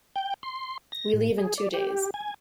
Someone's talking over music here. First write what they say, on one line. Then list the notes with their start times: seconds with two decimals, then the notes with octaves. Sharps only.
We leave in two days.
0.16 G5
0.43 C6
0.92 A#6
1.14 A2
1.38 G#4
1.58 D5
1.74 G4
2.14 G#5